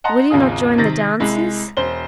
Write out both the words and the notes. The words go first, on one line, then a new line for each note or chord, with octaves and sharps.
Will you not join the dancers?
D#5 F#5 A5 A#5 C6
G#1 D#2 C#3 F4 G#4 D#6
C3 D#3 A6 A#6
C2 G#3 E4
E1 C5 G7